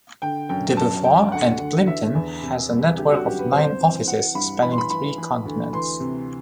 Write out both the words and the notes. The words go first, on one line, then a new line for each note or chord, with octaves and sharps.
Debevoise and Plimpton has a network of nine offices spanning three continents.
D3 G5
F#2 G5
F#2 A5
F#2 G5
D2 F#5
D3
E3 E5
E2
C3
C2
D3 G4
F#4
F#2 G4
B4
C2 C5
E3
E3 F#5
G2 B5
E3 B5
C6
B5
E3 B5
E3
D2
E3 C6
C3